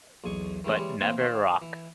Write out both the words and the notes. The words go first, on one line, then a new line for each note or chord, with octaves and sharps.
But never rock.
B1 E2 G#5 C#6
D#3 E3 G#3 A3 C4
E3 G3 G#3 C#5
E3 A#3 C4
D#3 C5 F5
E3